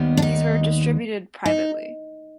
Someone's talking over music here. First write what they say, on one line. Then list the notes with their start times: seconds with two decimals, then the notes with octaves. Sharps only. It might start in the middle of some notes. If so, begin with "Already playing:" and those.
These were distributed privately.
Already playing: D#2 D#3 G3 B3
0.17 D4
0.22 D#4
1.46 D#4